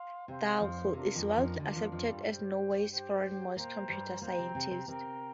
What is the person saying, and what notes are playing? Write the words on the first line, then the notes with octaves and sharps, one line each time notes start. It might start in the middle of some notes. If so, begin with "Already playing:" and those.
Dahl is widely accepted as Norway's foremost computer scientist.
Already playing: F5 C6
C3 C5 F5 C6
F2 F3
C3 D4 F4 A#4
F2 F3
F2 F3
D2 D3 D4 F4 A#4
F2 F3
F2 F3
G2 G3
G4 C5 G5
G4 C5 G5
A#2 A#3 C5 G5 A#5
G2 G3
A#2 A#3 C5 G5 A#5
C3 C4
C3 C4
C3 C4
C3 C4 A#4 G5 A#5